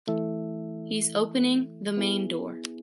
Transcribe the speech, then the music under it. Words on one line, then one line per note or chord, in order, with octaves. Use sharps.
He’s opening the main door.
E3 A3 E4 A4 E5
B3 E4 G#4